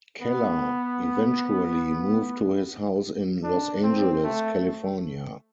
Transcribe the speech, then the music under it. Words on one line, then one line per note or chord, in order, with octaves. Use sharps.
Kellar eventually moved to his house in Los Angeles, California.
B3
D4
C4
A3